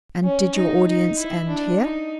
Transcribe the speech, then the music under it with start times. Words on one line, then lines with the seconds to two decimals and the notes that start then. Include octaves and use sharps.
'And did your audience end here?'
0.24 C#4
0.55 D#4
0.87 D#4
1.18 E4
1.49 D4
1.81 D#4